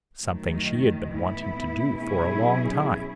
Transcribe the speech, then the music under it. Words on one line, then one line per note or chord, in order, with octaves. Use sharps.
Something she had been wanting to do for a long time.
F#2 D#3 F#3 A3
A2 E3 B3 E4
B2 F#3 C#4 E4 G#4